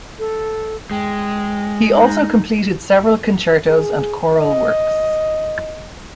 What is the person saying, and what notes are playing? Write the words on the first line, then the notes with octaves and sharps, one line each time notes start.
He also completed several concertos and choral works.
A4
G#3 G5
D#4
G#4
D#5